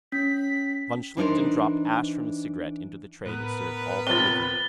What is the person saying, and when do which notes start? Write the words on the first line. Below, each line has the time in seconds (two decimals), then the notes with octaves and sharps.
Von Schlichten dropped ash from his cigarette into the tray that served all three of them.
0.12 C#4 B6
1.17 E3 D4 D#4 A#4 C5
3.26 A2 B3 A#4 B4
4.07 C3 F3 A6 G7